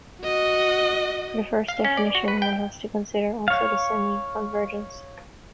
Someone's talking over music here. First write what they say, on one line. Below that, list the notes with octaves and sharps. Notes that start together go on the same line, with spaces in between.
For the first definition, one has to consider also the semiconvergents.
F#4 D#5
F5
C#4
D5
F#4
B4
G5
C#5 F5